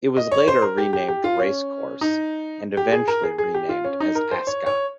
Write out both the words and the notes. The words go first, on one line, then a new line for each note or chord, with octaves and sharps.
It was later renamed Racecourse and eventually renamed as Ascot.
D#5
C#5
C5
A#4
G4
G4
G4
F4
C#4
D#4
G4
G#4
A#4
G#4
G#4
G4
F4
C#4
D#4
A#4
C5
C#5
C#5